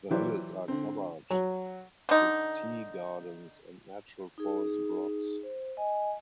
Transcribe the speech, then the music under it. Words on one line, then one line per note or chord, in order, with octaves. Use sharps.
The hills are covered with tea gardens and natural forest blocks.
E3 F#3 F4 G4 C5 D5
D3 C4
F#3
D3 D#4
D#4 G#4
C5
D#5 G#5